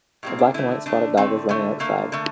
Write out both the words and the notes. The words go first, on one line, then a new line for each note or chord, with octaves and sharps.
The black and white spotted dog is running outside.
A2 G3 A#3 C4
D4
D3 A3 E4
D3 A3 D4
D3 A3 C4
D3 A3
D3 A3 A#3
D3 A3